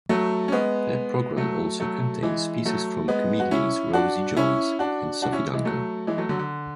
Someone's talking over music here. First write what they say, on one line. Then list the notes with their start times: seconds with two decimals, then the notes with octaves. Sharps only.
The programme also contains pieces from comedians Rosie Jones and Sophie Dunker.
0.09 F#3 A3
0.48 C#4
0.52 G#3 B3
1.37 F#3 A3
1.80 F#3 A3
2.23 E3 G#3
2.65 F#3 A3
3.08 G#3 B3
3.40 F#4
3.51 C#4 E4
3.93 D4 F#4
4.37 C#4 E4
4.79 D4 F#4
5.22 D4 F#4
5.32 C#4 E4
5.54 E3 G#3
5.65 F#3 A3
6.07 E3 G#3
6.18 F#3 A3
6.29 D3 F#3
6.39 D3